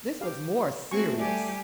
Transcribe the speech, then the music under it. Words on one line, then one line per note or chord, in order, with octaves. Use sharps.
This was more serious.
G4 F5
A3 C4 F#4 G#5 C#6
G3 G4 D5 G#5